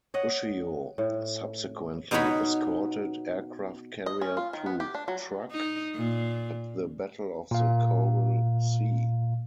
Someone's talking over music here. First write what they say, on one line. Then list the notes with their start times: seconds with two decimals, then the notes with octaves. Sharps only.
"Ushio" subsequently escorted aircraft carrier to Truk, at the Battle of the Coral Sea.
0.14 C#5 D#5 F#5
0.98 A2
2.11 B2 B3 D#4 F#4 C#5 B5
4.06 D#5
4.21 C#4
4.37 F4
4.53 D#3
4.66 B3
4.80 G4
4.95 D4
5.08 F#3
5.51 D#4
5.95 A#2
7.51 A#2 F5